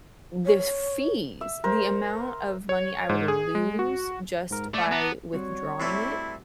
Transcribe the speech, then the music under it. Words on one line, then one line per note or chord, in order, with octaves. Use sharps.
the f fees, the amount of money I would lose just by withdrawing it,
C#5
E5
A#4 C5
C#5
G#2
G#4
G#3
F#4
G#2 A#4
A3 D5
B3 A5 A#5 D6
G3 C4 F#4 C#5
C3 A3 E4 D5